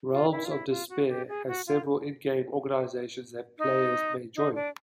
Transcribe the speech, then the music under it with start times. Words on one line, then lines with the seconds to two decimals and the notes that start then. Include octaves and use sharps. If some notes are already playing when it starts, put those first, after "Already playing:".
"Realms of Despair" has several in-game organizations that players may join.
0.12 F4
0.32 E4
0.45 F4
0.51 E4
0.70 F4
0.89 F#4
1.09 G4
1.29 G#4
1.48 F#4
1.67 F4
3.59 D#4
4.36 D#4
4.55 D4